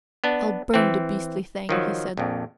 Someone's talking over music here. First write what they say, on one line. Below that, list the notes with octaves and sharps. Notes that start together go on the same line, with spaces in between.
"I'll burn the beastly thing," he said.
B3 D4
E3 C4
D#3 F3 F#3
A#1 F2